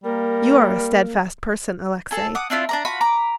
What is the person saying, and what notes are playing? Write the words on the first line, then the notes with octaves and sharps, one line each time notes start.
You are a steadfast person, Alexey.
G3 A#3 A#4
G#4 A4 A5
F#5 D6 D#6
C4 D4 E4 F4
D4 D5 A#5
F4 F#4 B5
A#5 B5 D6